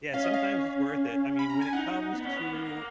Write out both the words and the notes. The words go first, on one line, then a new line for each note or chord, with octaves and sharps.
Yeah, sometimes it's worth it. I mean, when it comes to,
C#4 F5
D#5
F5
B5
A#5
G#5
D#4 F#5
B3
C#4
B3
A#3